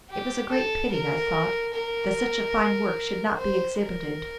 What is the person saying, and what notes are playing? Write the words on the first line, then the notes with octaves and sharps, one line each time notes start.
It was a great pity, I thought, that such a fine work should not be exhibited.
G4
A4
A#4
A#4
C5
A#4